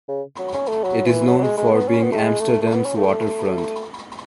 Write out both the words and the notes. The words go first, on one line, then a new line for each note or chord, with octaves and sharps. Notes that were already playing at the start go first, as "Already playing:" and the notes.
It is known for being Amsterdam's waterfront.
C#3
F#3
C#4
A3
F#3
E3
F#3
F#3
G#3
G#3
B3
C#4
B3
A3
G#3
A3
A3
B3
C#4
A3